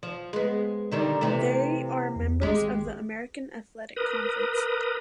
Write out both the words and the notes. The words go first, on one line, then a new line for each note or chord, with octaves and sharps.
They are members of the American Athletic Conference.
F3
G#3 B3
D3 D#3 G3
C3 E3 A3
E2
G#1 G#3 G4
A#4 B4 D#6